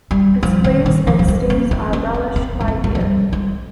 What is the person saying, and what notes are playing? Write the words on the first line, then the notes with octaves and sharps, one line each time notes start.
Its leaves and stems are relished by deer.
G3
F3
D#3
D#3
F3
G3
G#3
A#3
C4
C#4
C4
C4
G#3
A#3
G#3
F3
G3
G#3